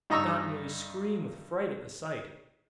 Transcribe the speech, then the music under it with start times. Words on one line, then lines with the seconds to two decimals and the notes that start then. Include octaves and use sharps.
Dot nearly screamed with fright at the sight.
0.10 G2 D#4 D#5 A#5 C#6 E6